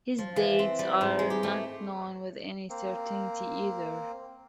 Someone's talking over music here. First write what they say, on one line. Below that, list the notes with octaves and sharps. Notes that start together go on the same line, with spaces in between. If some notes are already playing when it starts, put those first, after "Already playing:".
His dates are not known with any certainty either.
F3
E3
C4
G3
G#2
G#3
G4
A3
A#3 C4